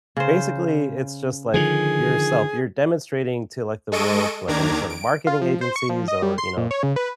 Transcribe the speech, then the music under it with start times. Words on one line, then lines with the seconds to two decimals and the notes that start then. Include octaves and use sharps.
Basically, it's just, like, yourself you're demonstrating to, like, the world, to, like, any sort of marketing agencies, or, you know,
0.17 C#3 C5
1.54 D3 D#3 F3 G#4
3.92 G#3 A4 D#5 C#6 D7 D#7
4.48 D#2 D#3 D4 A#5 D6 G#6
4.90 D7
5.27 F4
5.41 F3
5.61 C5
5.76 C#6
5.89 F3
6.08 D#5
6.22 G3
6.38 C6
6.57 A#2
6.71 C#5
6.83 C#3
6.96 B4